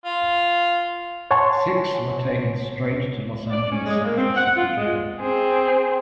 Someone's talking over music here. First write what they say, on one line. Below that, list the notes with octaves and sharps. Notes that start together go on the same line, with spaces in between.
Six were taken straight to Los Angeles' Central City Jail.
F4
C#5 F#5 G#5 A5 C6 C#6
D5
C#4
G#3
A#3
C4
F#5
F4
G#3
C4 G#4